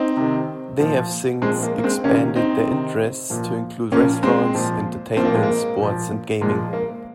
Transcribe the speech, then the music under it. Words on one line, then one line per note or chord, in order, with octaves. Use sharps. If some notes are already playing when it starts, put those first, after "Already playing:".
They have since expanded their interests to include restaurants, entertainment, sports and gaming.
Already playing: C4 D#4
C3 D#3
A#2 F3
A#2 F3 G#3 C4
A#3
A#3
G#3 C4
C3 D#3 A#3 C#4
C4 D#4
C3 D#3
A#2 F3
A#2 F3 A#3 C#4
G#3 C4
A#2 F3
A#2 F3 C4
A#3
G#3
A#3
A#2 F3
A#2 F3 G#3
A#3